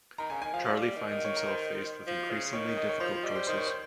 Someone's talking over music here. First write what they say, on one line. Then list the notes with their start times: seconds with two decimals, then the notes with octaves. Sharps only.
Charley finds himself faced with increasingly difficult choices.
0.18 D#3 A#5
0.30 C#3 G#5
0.42 D#3 G#5
0.53 F3 F5
0.66 G3 F5
0.81 G3
0.96 D#3
1.12 D#5
1.25 C#5
1.36 A#4
1.48 C5
2.06 F3
2.30 C#3
2.53 D#3 C#5
2.77 D#5
2.89 C#5
3.00 F3 C5
3.13 C5
3.23 G3 D#5
3.36 C5
3.47 D#3 C5
3.57 C#5
3.67 C5